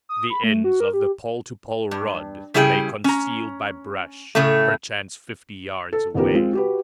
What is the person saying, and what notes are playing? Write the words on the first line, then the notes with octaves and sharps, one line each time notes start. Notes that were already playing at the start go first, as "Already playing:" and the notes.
The ends of the pole-to-pole rod lay concealed by brush, perchance fifty yards away.
D#6
B5
A3
F#4
A#4
G4
G2
C#3 G3 E4 G#4 D#5 G5
C#4 A#5
A2 C#3 A3
A4
A1 D#2 F3 B3 G4 A#4
G#3 C4 F4
F#4 G4 B4